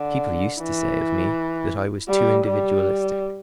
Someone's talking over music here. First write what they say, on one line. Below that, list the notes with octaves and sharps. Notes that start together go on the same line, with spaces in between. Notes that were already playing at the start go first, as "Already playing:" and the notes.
People used to say of me that I was too individualistic.
Already playing: D3
E3
G3
G3